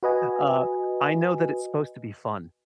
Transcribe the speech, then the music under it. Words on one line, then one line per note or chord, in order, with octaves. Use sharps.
uh, I know that it's supposed to be fun,
F#4 B4 D#5 G#5